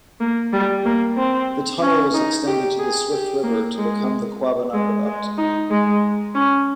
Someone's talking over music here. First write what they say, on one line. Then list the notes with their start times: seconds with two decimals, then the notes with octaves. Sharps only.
The tunnel was extended to the Swift River to become the Quabbin Aqueduct.
0.20 A#3
0.53 G3
0.85 A#3
1.17 C4
1.82 C#4
2.14 D#4
2.47 G4
2.79 G#4
3.11 G4
3.43 A#3
3.76 G#3
4.74 G#3
5.05 G#3
5.38 D#4
5.71 G#3
6.35 C#4